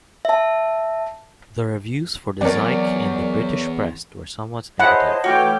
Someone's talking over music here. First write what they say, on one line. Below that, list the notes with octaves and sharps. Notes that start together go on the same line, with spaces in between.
The reviews for the Zike in the British press were somewhat negative.
E5 A5
E2 F#3 C4 A#4 C#5 D5
G#3 E4 C5 C#5 D#5 F#5 A5
E3 A3 F#4 C#5 G5 C#6 D6 F6